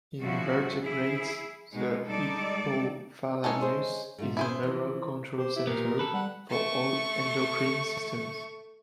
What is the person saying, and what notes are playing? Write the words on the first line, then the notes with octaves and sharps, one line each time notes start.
In vertebrates, the hypothalamus is the neural control center for all endocrine systems.
C#3 F3 G3 E4 F#4
E4 G#4
B2 G#3 D#4
G3 G#3 D#4 A4 D5
G#3 C4 C#4 D#4 E4 A4
G#4 C5
G#2 A3 F4
C#4 E4 G#4 C5
E3 F3
G4 C5
E4
A#2 B3 A#4
A4 B4
G3 F#5
A3 C#6